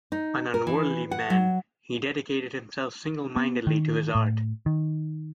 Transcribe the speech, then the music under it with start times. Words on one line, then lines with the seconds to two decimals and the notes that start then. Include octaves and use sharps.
An unworldly man, he dedicated himself singlemindedly to his art.
0.12 D#4
0.54 A#4
0.67 E3
1.11 F#5
1.30 F#3
3.36 B3
3.67 D#3
4.15 A2
4.66 D#3